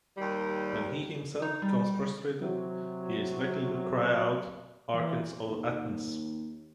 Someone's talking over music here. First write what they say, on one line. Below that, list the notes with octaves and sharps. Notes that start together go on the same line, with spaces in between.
When he himself becomes frustrated, he is likely to cry out, Archons of Athens!
D#2 D#3 G3
D#4
G3
C3 F#3
E3
D#2